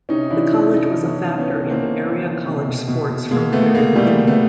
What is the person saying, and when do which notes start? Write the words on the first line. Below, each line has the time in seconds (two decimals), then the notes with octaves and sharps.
The college was a factor in area college sports from the very beginning.
0.09 C3 C#4 D#4
0.30 E3 D4 E4
0.52 C3 D4 E4
0.73 C3 C#4 D#4
0.95 E3
1.06 B3 C#4
1.16 E3
1.38 E3 B3 C#4
1.60 C3
1.70 A#3 C4
1.81 C3
2.02 E3
2.24 E3
2.45 C3
2.67 B2
2.88 B2
3.09 B2
3.31 B2 G#3 A#3
3.53 B2 A3 B3
3.73 B2 G#3 A#3
3.95 B2 G3 A3
4.17 B2
4.27 A3 B3